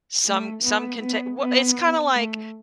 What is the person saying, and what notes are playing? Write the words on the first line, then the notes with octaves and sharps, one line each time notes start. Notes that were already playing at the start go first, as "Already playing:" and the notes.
some some can ta well, it's kinda like,
A3
B3
B3
B3
A3